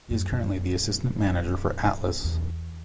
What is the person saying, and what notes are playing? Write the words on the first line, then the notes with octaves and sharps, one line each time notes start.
He is currently the assistant manager for Atlas.
F#2
F#2
E2